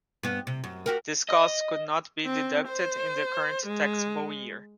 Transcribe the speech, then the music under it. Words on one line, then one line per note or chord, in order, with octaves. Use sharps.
This cost could not be deducted in the current taxable year.
G2 B3
C3
F#2
F#4 G4 A#4
D#5
C4
C5
G#3